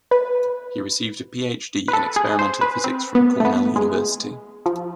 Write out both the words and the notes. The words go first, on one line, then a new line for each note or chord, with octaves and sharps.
He received a Ph.D. in experimental physics from Cornell University.
B4
B4
A4
G#4
C5
B4
C4
B3
A3
B3
G#3
F3